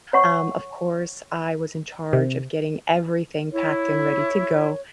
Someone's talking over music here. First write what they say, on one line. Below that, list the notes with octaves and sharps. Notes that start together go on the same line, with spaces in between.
um, of course, I was in charge of getting everything packed and ready to go,
C#5 F#5 C#6
C3
E4 C#5